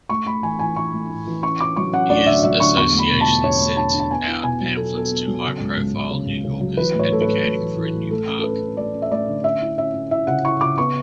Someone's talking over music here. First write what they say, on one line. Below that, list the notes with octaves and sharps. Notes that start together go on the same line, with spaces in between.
His association sent out pamphlets to high-profile New Yorkers, advocating for a new park.
A3 C#6
A3 B5
E3 G#5
E3 G#5
E3 C#6
A3
A2
E3
C#4 C#6
C#4 D6
F#3 C#6
C#4 F#5
D2 D5
D3 E5
F#3 E5
D3 C#6
E2 C#6
A3
B5
B2
A5
A3
E2 C#5
A3
D4 A5
D4
A5
B3 G#5
E4
B2 G#5
F#3
B3 A4
B3 A4
B3
F#3
C#3
C#2
C#2
C#2
C#3
C#2
C#3
F#3
E3 B4
A2
C#5
A2 A4
B4
A2
A3
E3
E3
A2
A3 A4
C#4
A4
C#4 B4
C#4
A3 D5
C#4
E5
A3 D5
D3
C#4 E5
E4
C#4 E5
C#4
E4 E5
C#3 F#5
E4 C#6
C#3 D6
B3 C#6